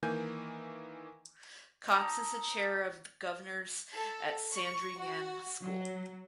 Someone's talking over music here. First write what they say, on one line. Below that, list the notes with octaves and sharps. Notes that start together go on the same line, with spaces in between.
Cox is the Chair of Governors at Sandringham School.
D#3 E3 A#3 G#5 G6
D#4 G4 A4 A5
A4
C#6
F#4
F#3